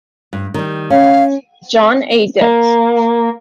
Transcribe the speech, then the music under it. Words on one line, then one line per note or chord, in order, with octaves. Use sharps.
John A. Dix.
G2
D#3 G3
C#4 F5
A#3